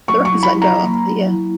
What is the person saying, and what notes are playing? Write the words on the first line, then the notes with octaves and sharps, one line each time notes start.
But the Rapids let him go after the year.
F#3 C#6
C#6
E4
B5
F#3
A#5
A#3
F#3
E4